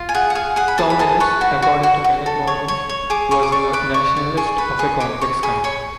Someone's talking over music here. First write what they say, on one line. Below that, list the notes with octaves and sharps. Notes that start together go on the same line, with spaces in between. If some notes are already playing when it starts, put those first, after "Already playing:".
Tom Ellis, according to Kenneth Morgan, was a 'nationalist of a complex kind'.
Already playing: F4
G#5
G#4 F#5
F#5
G#4 F5
G#4 F#5
B5
G#4 A5
B5
G#4 A5
B4 C#6
F#4
F#4
F#4
F#4
A4
C#5
C#5
C#5
G#4 D6
G#4 C#6
D6
D5 C#6
B4 D6
D5 C#6
D5
G#4 C#6
B4
G#4 C#6
C#5 D6
C#5 C#6
G#4 B5
C#5 C#6